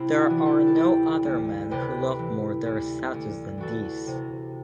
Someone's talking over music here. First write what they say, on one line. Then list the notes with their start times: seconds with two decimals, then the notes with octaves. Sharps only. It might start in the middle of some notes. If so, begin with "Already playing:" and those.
There are no other men who love more their status than these.
Already playing: C3 C4 E4
0.13 D4 F#4
0.30 E3
0.38 F#4
0.45 E4 G4
0.67 A4
0.77 D2 E4 G4
1.25 D2
1.71 C3 G4 B4
2.19 E3
2.66 D2
3.14 D2
3.58 E3 F#4 A4
4.07 C3